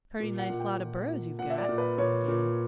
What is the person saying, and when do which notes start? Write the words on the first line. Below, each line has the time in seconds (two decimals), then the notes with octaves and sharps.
"Purty nice lot of burros you've got," he began.
0.20 A#2
0.39 F#5
0.50 A#2
0.60 G5
0.80 A#2
1.09 A#2
1.39 A#2 F#5
1.50 E5
1.58 D5
1.69 A#2
1.78 B4
1.98 A#2 C#5
2.28 A#2